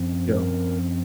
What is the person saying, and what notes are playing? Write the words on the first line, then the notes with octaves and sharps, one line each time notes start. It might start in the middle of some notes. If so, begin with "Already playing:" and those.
you know?
Already playing: F#2 F3 C4
A#4